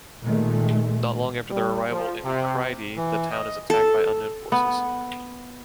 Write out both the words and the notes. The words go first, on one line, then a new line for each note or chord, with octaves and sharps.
Not long after their arrival in Crydee, the town is attacked by unknown forces.
A#2 D#3 G#3 A3
G3
F3
C3
E3
D#5
A4
B3